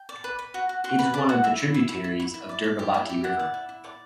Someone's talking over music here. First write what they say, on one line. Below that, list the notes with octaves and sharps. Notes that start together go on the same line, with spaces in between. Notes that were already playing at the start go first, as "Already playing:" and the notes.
It is one of the tributaries of Durgavati River.
Already playing: G5
D5
B4
B4
F#4
F#4
F#4 C6
B4 B5
D5 A5
F#4 F#5
E4 E5
E4
E4
E4
E4
E4
E4
D5
D5
G4
E4
G4
E4 F#5
D5
E4
E4
D5